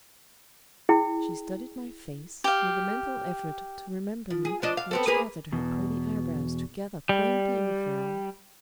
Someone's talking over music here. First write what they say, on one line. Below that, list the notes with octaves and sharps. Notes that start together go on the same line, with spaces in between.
She studied my face, with a mental effort to remember me, which gathered her pretty eyebrows together quaintly in a frown.
E4 G#4 G5
G4 F5
F3
G#4
F3 D4 D#5
F5
B3 C4 A4
A#3 G#4 B4
E2 B2
G3